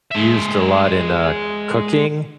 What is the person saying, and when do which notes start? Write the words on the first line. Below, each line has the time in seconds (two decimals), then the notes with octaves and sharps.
used a lot in, uh, cooking,
0.11 G#3 E5